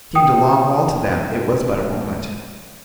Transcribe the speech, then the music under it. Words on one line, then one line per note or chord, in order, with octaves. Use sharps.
It seemed a long while to them--it was but a moment.
G5 D#6